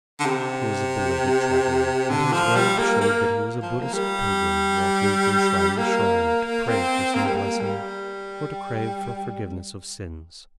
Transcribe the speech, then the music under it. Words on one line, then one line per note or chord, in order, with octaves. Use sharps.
He was a belated traveler, and his robe showed that he was a Buddhist pilgrim walking from shrine to shrine to pray for some blessing or to crave for forgiveness of sins.
D3
C3
D3
F3
G3
A#3
A#3
F3
A#3
G3
A#3
C4
A#3
G3
A#3
G3